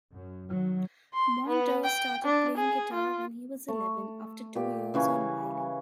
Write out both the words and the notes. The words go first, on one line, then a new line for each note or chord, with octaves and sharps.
Monder started playing guitar when he was eleven, after two years on violin.
F#2
D#3 F#3
C6
B3
G5
D4
G#4
F4
A3
A#2 G4
C#3 E3 C#4 G#5